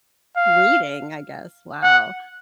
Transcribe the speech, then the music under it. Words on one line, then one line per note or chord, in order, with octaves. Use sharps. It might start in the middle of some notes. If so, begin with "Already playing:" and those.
reading, I guess, wow
F5
F#5